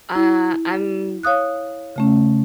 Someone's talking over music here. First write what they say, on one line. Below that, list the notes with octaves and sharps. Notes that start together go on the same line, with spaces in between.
uh, I'm
E4
C#5 F5 D#6 F#6
C#3 A3 C#4